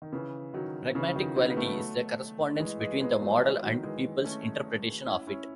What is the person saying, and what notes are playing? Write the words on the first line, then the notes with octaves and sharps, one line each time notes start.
Pragmatic quality is the correspondence between the model and people's interpretation of it.
D#3
C#3 E3
D#3 F#3
C#3 E3
D#3 F#3
D#3 F#3
B3
F#3 A3
E3 G#3
E3 G#3
G#3 B3
F#3 A3
E3 G#3
D#3 F#3
E3 G#3
A3 C#4
C#4 E4
C#4 E4